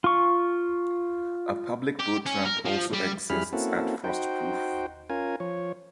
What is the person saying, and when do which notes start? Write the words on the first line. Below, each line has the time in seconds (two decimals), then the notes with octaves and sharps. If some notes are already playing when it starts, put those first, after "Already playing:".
A public boat ramp also exists at Frostproof.
0.04 F4 C#6
2.00 G4
2.26 C#4
2.45 A#4
2.66 F3
2.93 G3
3.30 F2 G3 E4 G#4 B5 F6
3.53 A#3 C4 C#4 E4 F#4 A4
4.04 D#4 F#4 C5 G5
5.10 C#4 F4 A#4 G#5
5.40 F3 C#5